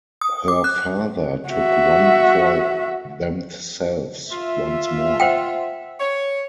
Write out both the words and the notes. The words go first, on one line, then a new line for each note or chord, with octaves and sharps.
Her father took one for themselves once more.
D#6
D6
F#6
F#4 E5
F4 E5
C5 F#5 G5
C#5